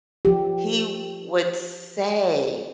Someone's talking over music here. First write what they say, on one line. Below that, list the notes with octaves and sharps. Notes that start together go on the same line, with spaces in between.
he would say
F3 G4